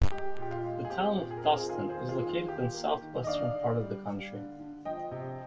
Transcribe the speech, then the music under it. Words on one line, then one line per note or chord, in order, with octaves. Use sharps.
The Town of Tusten is located in southwestern part of the county.
G#3 G4
A#2 G4
F4
G#3
G#4
C4 G4
A#2
G#4
A#4
C4 G#4
A#4
F4 G#4
D#3 F4 G#4
G#4 C5
A#3
F4 G#4
D#3
F4
A#3 G4
A#3
D#3
D#5
D3 D5 F5
D3
G3
G3
D3
D3
F3 D#5 G5
C3